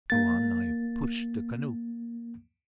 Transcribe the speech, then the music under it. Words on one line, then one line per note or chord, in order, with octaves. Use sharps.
Tuan, I pushed the canoe!
A#3 A6